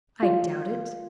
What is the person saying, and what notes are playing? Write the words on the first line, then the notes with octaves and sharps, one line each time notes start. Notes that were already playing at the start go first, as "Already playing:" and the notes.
"I doubt it."
F4